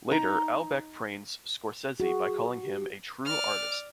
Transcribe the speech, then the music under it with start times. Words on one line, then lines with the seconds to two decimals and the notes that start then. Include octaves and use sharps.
Later, Albeck praised Scorsese by calling him a "true artist".
0.11 D#4 A#5
2.00 F#4 G#4
2.63 G4
3.25 D5 F6